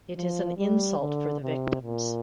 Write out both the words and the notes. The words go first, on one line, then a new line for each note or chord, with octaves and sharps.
It is an insult for the victims.
F3
G3
D3
C3
A#2